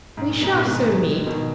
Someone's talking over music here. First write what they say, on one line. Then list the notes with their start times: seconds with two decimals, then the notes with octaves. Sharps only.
"We shall soon meet."
0.17 G#2
0.30 A#2
0.42 G#2 B2
0.55 B2 D#3
0.66 G#3 B3
0.91 D#3 F#3
1.27 B2 D#3